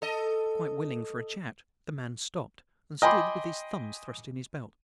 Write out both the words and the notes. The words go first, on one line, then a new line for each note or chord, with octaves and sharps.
Quite willing for a chat, the man stopped, and stood with his thumbs thrust in his belt.
A4 D#5
D#5 G5 G#5 B5 C6 D6